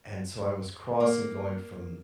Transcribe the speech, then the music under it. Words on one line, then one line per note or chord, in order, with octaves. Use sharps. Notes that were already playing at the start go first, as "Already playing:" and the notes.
and so I was crossing going from
A#3